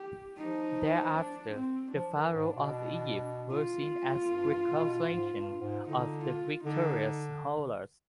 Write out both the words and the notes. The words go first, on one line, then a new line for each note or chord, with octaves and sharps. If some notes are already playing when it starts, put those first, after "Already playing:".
Thereafter, the pharaohs of Egypt were seen as reincarnations of the victorious Horus.
Already playing: G4
F3 D#4
D4
C4
F3 D4
D#3
G#2
B2
F4
G2
B2
G#2
G2
G#2
D3 D#4
F4
D3 D#4